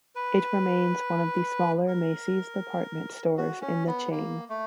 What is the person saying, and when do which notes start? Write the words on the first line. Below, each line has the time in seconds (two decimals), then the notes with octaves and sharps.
It remains one of the smaller Macy's department stores in the chain.
0.15 B4
1.88 A#4
3.37 F#4
3.61 C#4
3.87 B3
4.11 A#3
4.49 A3